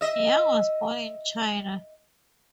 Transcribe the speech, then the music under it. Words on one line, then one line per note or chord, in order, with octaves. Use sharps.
Yang was born in China.
D#5 E5